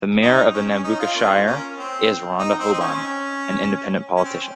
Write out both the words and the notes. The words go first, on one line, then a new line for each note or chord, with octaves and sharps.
The Mayor of the Nambucca Shire is Rhonda Hoban, an independent politician.
C4 D#4
C#4
C#4
D#4
F4
A#3 C#4 F4
A#3 C#4
C4
D#4
C4
D#4
C#4
C#4
C4